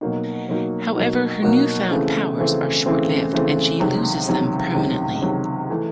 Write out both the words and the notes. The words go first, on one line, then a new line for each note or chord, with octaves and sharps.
However, her new-found powers are short-lived, and she loses them permanently.
B2 F#3 A#3 D#4 F#4
B2 F#3 A#3 D#4 F#4
B2 F#3 A#3 D#4 F#4
B2 F#3 A#3 D#4 F#4
C#3 E3 A3 C4
C#3 E3 A3 C4
C#3 E3 A3 C4
C#3 E3 A3 C4
C#2 C3 D#3 F#3
C#2 C3 D#3 F#3
C#2 C3 D#3 F#3
C#2 C3 D#3 F#3
E3 A3